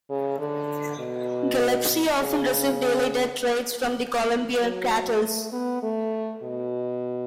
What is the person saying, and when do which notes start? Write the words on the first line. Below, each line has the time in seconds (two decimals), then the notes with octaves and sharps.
Gillespie often received daily death threats from the Colombian cartels.
0.09 C#3
0.39 D3
1.00 B2
2.21 C#3
4.62 F#3
5.22 A3
5.52 B3
5.82 A3
6.43 B2